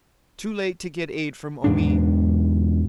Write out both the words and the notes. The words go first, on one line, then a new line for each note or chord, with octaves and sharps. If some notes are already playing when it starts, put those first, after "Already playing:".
Too late to get aid from Omean.
E2 G#2 D4